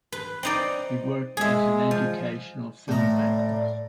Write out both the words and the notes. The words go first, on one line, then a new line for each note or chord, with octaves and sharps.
He worked as an educational filmmaker.
B4
C4 D#4 D5
G#3 G#4 E5
F3
A2 D5 A#5